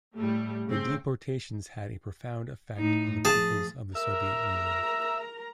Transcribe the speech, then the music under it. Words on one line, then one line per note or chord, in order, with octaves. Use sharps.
The deportations had a profound effect on the peoples of the Soviet Union.
A2 G3 A3
C#3 C4
A2 D#4
F3 G#4 A5
A#4 E5 A#5